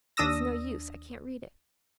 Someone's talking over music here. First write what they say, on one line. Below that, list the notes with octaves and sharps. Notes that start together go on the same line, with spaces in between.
It's no use--I can't read it.'
D#2 D4 D#6 E6 A#6